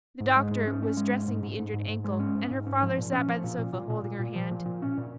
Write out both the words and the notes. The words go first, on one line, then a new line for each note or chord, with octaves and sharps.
The doctor was dressing the injured ankle, and her father sat by the sofa holding her hand.
G#2
G#3
G#2
C#4
C#4
G#3
G#2
G#2
G#2
G#2
G#2
G#2
G#3
C#4
G#2
G#2
C#4
F3
A#2
C#4
F3
A#2
A#2
A#2
A#2
A#2
A#2
F3
A#2
A#2
C#4
A#2